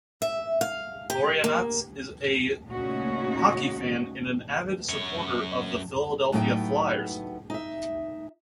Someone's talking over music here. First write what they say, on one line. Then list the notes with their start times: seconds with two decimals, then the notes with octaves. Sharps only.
Boreanaz is a hockey fan and an avid supporter of the Philadelphia Flyers.
0.22 E5
0.61 F5
1.10 G4
1.44 A#3
2.68 A#2 C#3 A3 C#4 D#4 F#4
4.89 F#2 C#5
6.32 A2 F#3 B3 D#4 E5 G5
7.50 D#4 E5